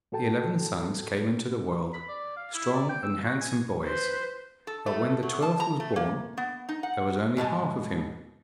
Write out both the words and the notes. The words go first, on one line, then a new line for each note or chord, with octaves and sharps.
The eleven sons came into the world, strong and handsome boys; but when the twelfth was born, there was only half of him.
A2 F#4 A4 G5 A5
B5
D5
F5
E4
D5
G5
E6
F#4
G#5
B4 C5
A4
A3
F#3
A5
A#5
A3
A#3
B3
D#4
F#5
G#2 B2 G#3 A5